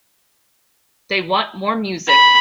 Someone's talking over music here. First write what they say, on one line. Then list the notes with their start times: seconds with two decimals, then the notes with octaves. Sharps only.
They want more music.
2.07 B5